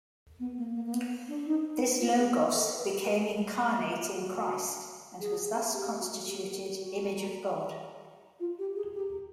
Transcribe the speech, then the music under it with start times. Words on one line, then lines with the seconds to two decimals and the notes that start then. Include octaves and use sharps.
This Logos became incarnate in Christ and was thus constituted Image of God.
0.39 B3
0.58 A#3
0.75 A#3
0.85 A#3
0.93 B3
1.28 D4
1.46 D#4
1.73 D#4
1.99 F4
2.18 G#4
2.35 A#4
2.53 A4
2.73 B4
2.80 A#4
3.00 B4
3.07 A#4
3.33 G#4
3.78 F#4
3.95 F4
4.14 F#4
5.20 G#4
5.73 G4
6.00 F#4
6.27 G4
6.54 G4
6.80 F#4
8.40 F4
8.59 G4
8.76 G#4
8.94 G4